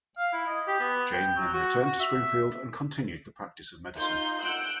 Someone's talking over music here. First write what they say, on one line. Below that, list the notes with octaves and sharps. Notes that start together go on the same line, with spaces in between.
Jayne then returned to Springfield and continued the practice of medicine.
F5
E4
D#5
G4
B3
G5
F#3
F#4
F#4
E5
D#4 F4 C6 G6
F#5 E6 F#6 G6 D7